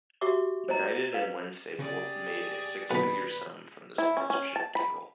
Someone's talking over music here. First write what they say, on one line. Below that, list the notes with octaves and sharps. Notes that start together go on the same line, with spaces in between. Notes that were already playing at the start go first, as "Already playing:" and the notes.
United and Wednesday both made a six figure sum from the sponsorship deal.
F#4 G4 E5 C#6 D6
C5 D#5 A#5
B4 F5
C#3 G4 G#4 D5
B1 A#2 D#3 B4 B5
E4
C#4
C#4
A5
B5